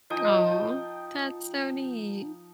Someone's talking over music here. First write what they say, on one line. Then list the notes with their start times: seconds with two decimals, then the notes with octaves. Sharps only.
Aw. That's so neat.
0.10 F3 D#4 G5 D#6